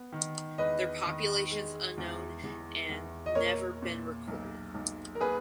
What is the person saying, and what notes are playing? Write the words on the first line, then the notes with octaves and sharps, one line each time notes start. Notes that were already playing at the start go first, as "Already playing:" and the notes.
Their population is unknown an never been recorded.
Already playing: B3
D#3
E2 B4 D#5
D#3
G#3
E2
E2
E2
D#5
A#2 A#4 C#5
A#2
B1
B1
A#4
A#3 G#4 B4